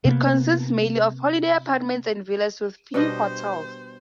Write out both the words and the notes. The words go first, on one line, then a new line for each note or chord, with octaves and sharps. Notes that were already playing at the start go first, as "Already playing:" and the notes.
It consists mainly of holiday apartments and villas, with few hotels.
C3 A#3 B3
B2 G3 D4 B4 C5 D#5